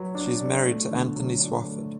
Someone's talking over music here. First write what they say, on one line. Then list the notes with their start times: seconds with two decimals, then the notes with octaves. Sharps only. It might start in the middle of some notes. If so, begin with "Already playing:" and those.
She is married to Anthony Swofford.
Already playing: F#3 B4
0.15 D4
0.40 D5
0.65 A3
0.91 D3
1.16 F#3
1.40 D4
1.65 A3